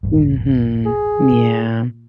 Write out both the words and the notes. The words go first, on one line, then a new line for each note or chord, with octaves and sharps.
Mhm. Yeah.
D#1 A1 G2
G#4
A#2